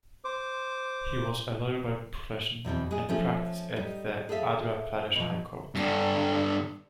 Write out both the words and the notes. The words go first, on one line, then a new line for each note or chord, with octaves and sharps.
He was a lawyer by profession and practised at the Andhra Pradesh High Court.
C5 D6
E2 B2 E3 C4
G#3 G#4
F3 A3 C#4
G3 D#4
G#4 A4 C5 E5 F5
B2 F3
G2 D3